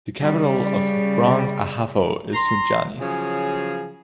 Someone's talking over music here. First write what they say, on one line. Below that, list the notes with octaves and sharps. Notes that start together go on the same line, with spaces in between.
The capital of Brong-Ahafo is Sunyani.
C#3 G3
A#5 C6
C#3 F3 F#3 G#4